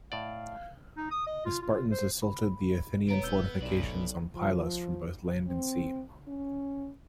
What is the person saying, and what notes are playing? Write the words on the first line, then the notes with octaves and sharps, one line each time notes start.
The Spartans assaulted the Athenian fortifications on Pylos from both land and sea.
A2 D5 F5
D#4
D#6
D#5
F4
F4
C5
B5
B3 C#5 A#5 D7
D#1 E6 G6 G7
B1 B2 D5 F#7
F3
C4
C#4